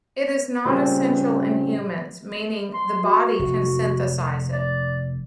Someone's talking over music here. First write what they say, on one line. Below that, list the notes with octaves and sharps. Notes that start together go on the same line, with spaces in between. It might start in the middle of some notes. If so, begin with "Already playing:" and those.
It is non-essential in humans, meaning the body can synthesize it.
A#2 C#3 G3 C4 C#4
C6
F#4
F1
D5